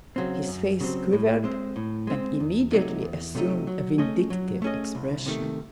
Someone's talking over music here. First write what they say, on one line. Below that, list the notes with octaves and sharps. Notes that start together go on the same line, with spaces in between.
His face quivered and immediately assumed a vindictive expression.
C#3 F#3 C4
F#2
C#3 F#3 C4
A2
G#3 C4
A2
G#3 C4
E2
C3 F#3 A3 D#4
E2
C3 F#3 A3 D#4
F#3
A3 C#4 G#4 D#5
F#3
A3 C#4 G#4 D#5
C2
C3 D#3 A3